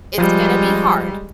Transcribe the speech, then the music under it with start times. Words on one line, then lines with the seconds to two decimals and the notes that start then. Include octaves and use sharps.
It's gonna be hard.
0.18 F3 G3 G#3